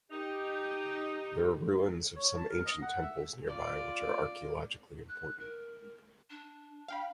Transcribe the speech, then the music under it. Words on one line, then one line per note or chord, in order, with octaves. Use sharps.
There are ruins of some ancient temples nearby which are archaeologically important.
D#4 G4
C#5
A5
A#4
D#5
F#5
E5
F4 D5
F#6
A#4
D4
F5 G5 B5